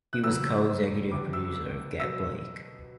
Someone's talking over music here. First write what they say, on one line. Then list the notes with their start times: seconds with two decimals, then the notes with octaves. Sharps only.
He was co-executive producer of "Get Blake!".
0.13 F#6
0.23 E2 C#3 F#3 E6
1.11 E2 D3 G3 D6
1.33 E6
1.99 B2 F#3 E6